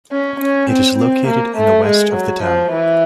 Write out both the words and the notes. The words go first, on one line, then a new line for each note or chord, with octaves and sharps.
It is located in the west of the town.
C#4
C#4
C4
C4
A#3
A3
G#3
F#3
F3
E3